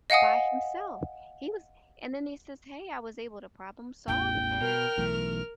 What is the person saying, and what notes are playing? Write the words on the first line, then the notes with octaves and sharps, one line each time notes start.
by himself. He was and then he says, "Hey, I was able to problem solve," and
D#5 F5 F#5 G#5 D#6
A1 E2 G5
B2 A#4 F6
B1 E3 A3